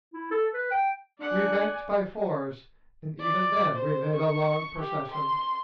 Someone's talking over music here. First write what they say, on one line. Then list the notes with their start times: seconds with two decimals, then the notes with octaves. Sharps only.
We ranked by fours, and even then we made a long procession.
0.13 E4
0.31 A4
0.53 B4
0.71 G5
1.20 D4 D5 F#5 G#5
3.20 D5
3.75 C5
4.15 C#6
4.79 G4
5.11 C6